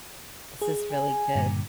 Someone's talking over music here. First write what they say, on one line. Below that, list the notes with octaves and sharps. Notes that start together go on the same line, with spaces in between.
This is really good.
G#4
G#5
G2 A#2 D3